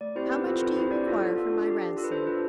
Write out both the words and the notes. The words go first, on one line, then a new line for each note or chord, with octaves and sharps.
"How much do you require for my ransom?"
A3 D5
C4 E4 G4 C5
B3 B4
F4 A4 C5
C4 B4
E4 G4 C5
D4 D5
F4 A4
B3
F4 A4
D4
G4
D4
F4 A4
B4
D4 C5
F4 A4 B4